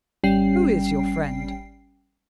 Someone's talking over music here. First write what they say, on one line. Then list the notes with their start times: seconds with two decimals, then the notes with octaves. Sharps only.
"Who is your friend?"
0.24 G#1 G3 C#4 G5 C7